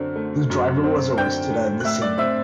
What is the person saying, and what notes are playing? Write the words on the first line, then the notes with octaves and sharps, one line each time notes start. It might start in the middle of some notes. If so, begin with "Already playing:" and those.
The driver was arrested at the scene.
Already playing: F#2 D3 C4
A3
F#2
C4
D3 G5 G6
A3
F#6
A2 E5 E6
D5 D6
C4 E5 E6